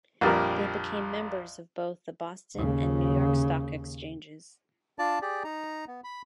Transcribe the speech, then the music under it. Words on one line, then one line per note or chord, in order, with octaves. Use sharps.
They became members of both the Boston and New York Stock Exchanges.
A#1 F2 G3 A#4
D#2 C#3
D4 F4 D5 A5
G4 G#4 D5
D#4 A#5
B3
B5